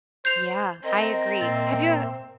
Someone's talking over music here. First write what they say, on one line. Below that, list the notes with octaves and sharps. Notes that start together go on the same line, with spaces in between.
Yeah, I agree. Have you ev
C5 G6 C7 F7
C4 A#4 C5 D#5
A#2 C5 E5 A6